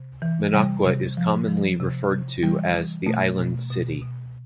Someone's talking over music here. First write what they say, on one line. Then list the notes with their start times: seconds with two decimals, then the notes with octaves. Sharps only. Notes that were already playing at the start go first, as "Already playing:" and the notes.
Minocqua is commonly referred to as The Island City.
Already playing: C3
0.22 E3
0.53 C3 G3
0.85 C3
1.17 F3
1.48 F3
1.80 C3
2.11 C3
2.43 E3 G3
2.75 E3
3.06 B2 A3
3.38 B2
3.70 B2
4.02 B2